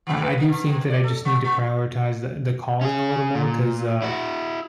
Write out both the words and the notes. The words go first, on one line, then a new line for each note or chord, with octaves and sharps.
I I do think that I just need to prioritize the the calling a little more 'cause, uh,
D#3
B4
A#3
C#3
F#2
D5
A4
G#3
G#3
C#4 G#4
A#2
E4 F#4